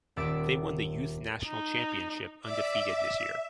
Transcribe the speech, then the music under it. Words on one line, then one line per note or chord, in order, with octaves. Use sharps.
They won the Youth National Championship undefeated this year.
D#1 D5 E5 A6 D7
D#4
D5 E5 D6